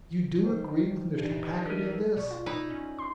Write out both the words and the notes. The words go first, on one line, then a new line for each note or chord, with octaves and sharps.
"You do agree with Mr. Packard in this?"
D#3 C5
E3 D4 D#4 G4
A4 A#4
B2 G#4 D5 C#6
F4
D#4 E4 B4
C#4
C6